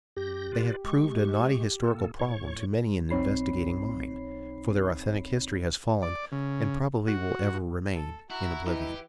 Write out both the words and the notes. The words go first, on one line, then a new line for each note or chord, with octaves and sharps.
They have proved a knotty historical problem to many an investigating mind; for their authentic history has fallen, and probably will ever remain in oblivion.
F#2 G4 G6 A#6
F4 B4 D5
G#3 C#6
A#2 A#3 A4
A2 C#5 C#6
B1 C4 D#4 C#5 B5 C7
D5
C#3
F#4
A4
E4 F#4 A#5
E3 E4 G4 D#5